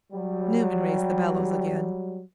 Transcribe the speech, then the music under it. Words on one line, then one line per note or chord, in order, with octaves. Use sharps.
Newman raised the bellows again.
F#3 G3